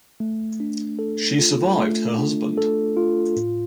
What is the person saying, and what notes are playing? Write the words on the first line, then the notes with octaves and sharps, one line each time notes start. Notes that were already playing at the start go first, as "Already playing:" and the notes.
She survived her husband.
A3
D4
A4
F4
A3
D4
A4
F4
A2